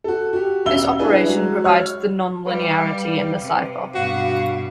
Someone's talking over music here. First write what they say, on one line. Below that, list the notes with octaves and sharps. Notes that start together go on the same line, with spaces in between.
This operation provides the non-linearity in the cipher.
F#4 A4
F#4 G4
E1 A1 E5 F5 E6 G7
D4 E4 G#4 B4
F#3 G#3 F#4
C#5 F6
G3 B4 F5
C3
G2 B2 F#4 F5